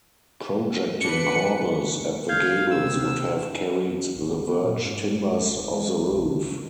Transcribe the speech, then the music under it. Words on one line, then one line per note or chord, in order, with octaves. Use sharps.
Projecting corbels at the gables would have carried the verge timbers of the roof.
D4 B4 C#7
F5 G6 G#6
C3 E6
A1
B3
A#2
G#2
G2
D#1
G#3
B1
D#3